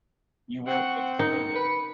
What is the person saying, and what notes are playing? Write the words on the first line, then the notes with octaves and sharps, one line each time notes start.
You won't get to spend it.
C4 F#5 C#6
D#4 A#4 C#7
B4